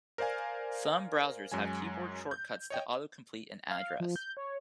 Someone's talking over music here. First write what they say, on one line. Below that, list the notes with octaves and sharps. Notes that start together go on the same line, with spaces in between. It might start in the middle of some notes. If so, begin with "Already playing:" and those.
Some browsers have keyboard shortcuts to auto-complete an address.
A#4 C5 D5 F5 G#5
F#2 F#3 G#3 G#5
G6
C#5 D#5 G5
F5
F3
G6
C#5